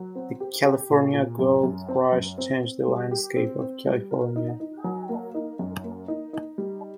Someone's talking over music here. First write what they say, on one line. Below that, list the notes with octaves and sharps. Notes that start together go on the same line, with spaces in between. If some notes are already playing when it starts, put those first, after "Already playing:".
The California Gold Rush changed the landscape of California.
Already playing: F#3
C4
G4
G4
A#2
A#2
F#2
F#2
C4
F#2
C4
C4
G3
G4
C4
C4
G3
A#4
D#4
D#4
F#3
A#3
D#4
F#2
A#3
D#4
D#4
G3